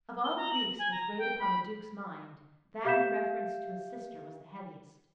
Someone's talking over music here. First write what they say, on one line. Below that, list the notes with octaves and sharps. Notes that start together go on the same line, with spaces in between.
Of all the griefs which weighed upon the Duke's mind, that in reference to his sister was the heaviest.
G7
A#5
F#7
G#5
A#5
G5
B5
G4 E5 F5 G6 B6 E7